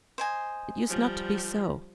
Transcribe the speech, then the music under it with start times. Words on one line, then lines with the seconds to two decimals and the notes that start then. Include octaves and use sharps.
It used not to be so.
0.18 C5 D#5 G#5
0.88 F3 G3